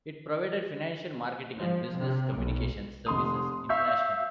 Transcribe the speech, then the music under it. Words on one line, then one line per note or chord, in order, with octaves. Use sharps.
It provided financial, marketing and business communications services internationally.
F3
C3
B1
F1 C6 D#6
E5 F5 C#6 G6